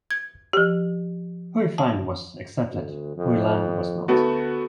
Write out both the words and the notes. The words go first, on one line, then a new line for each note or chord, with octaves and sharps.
Huifang was accepted; Huilan was not.
G#6
F3 G4
A5
D2
F2
D2 A3 B3 F#4